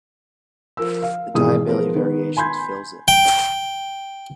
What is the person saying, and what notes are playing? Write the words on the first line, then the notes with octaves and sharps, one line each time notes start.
The Diabelli Variations fills it.
F3 A#4 E6
F5
G#1 B2 E3 G#4 D#6
F3 B3 F4 G#4 A#4
D#3 B3
G#5 B5 C6 G6 G#6
G5